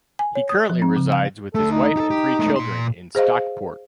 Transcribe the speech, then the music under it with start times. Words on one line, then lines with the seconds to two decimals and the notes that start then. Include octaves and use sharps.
He currently resides with his wife and three children in Stockport.
0.19 G#5
0.35 C#5
0.49 D#6
0.70 F3
0.82 C4
0.96 C#3
1.12 F5
1.55 D2 A3 A4
1.71 D#4
1.97 G4 A4
2.11 G4
2.39 G#3 A3
2.56 A#2 C6
3.15 G#4 C5 D#5 F5